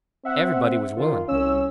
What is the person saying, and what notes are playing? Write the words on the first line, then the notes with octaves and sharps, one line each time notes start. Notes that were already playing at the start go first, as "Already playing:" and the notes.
Everybody was willing.
C4 E5 F#5
D#3 F4
C2 C#4 E6